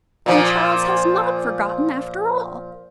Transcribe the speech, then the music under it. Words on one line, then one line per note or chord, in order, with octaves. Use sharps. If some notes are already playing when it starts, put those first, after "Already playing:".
'Then Charles has not forgotten, after all.'
A#2 F3